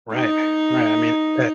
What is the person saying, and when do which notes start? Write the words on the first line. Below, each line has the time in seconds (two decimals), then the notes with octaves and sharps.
Right, right. I mean, at
0.14 D#4